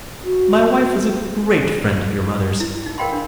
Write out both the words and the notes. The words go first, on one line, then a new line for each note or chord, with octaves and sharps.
My wife was a great friend of your mother's.
F#4
E4
D#4
A#4 B4 F5 G5 B5 C6
D4